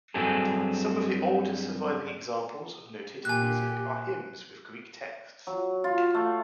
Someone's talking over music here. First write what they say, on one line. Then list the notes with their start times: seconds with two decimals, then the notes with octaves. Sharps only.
Some of the oldest surviving examples of notated music are hymns with Greek texts.
0.14 G2 F#3 C4 G#4 A4
3.25 A#2 G4 G#5 F#6
5.47 F#3
5.84 F4
6.14 A3